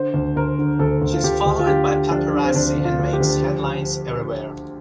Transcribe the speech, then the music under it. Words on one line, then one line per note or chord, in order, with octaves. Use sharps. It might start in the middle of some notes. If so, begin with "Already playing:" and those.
She is followed by paparazzi and makes headlines everywhere.
Already playing: D3 C5
D2
D2 A#4
D3
D2 A4
D2
F4
D2 G4
D2
F4
D3 G4
D3
F3 D4
D3
C4
D2 D4
D2
F4
D2
G4
D2
F3